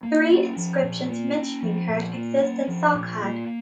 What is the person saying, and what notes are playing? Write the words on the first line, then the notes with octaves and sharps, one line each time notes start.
Three inscriptions mentioning her exist in Salkhad.
A#3
C#4
F3
A#2
A#3
C#4
F3
A#2
A#3
C#4
F3
A#2
A#3